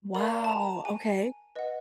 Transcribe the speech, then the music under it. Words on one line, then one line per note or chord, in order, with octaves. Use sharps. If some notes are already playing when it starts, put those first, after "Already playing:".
Wow, okay.
A#4 D5 F5 B5
A5
A#5
G#5
B4 D#5 F#5